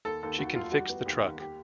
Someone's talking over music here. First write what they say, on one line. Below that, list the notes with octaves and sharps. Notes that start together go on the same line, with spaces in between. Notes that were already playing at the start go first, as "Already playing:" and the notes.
She can fix the truck.
D#2 A4
D#2 A4
D#2 F#4
F1 F4
G3 F#4
B3
D#2 G4
D#2
G4